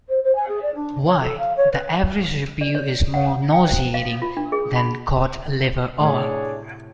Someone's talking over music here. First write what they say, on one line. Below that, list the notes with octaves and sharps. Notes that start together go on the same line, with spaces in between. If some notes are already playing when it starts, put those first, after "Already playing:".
Why, the average review is more nauseating than cod liver oil.
C5
C5
G#5
G#4
D5
D4
C#5
A4
F5
C#5
B4
D5
C#5
F#5
G5
C5
F5
F4
D4
G#4
B5
A2 C3 D4 G#4 C#5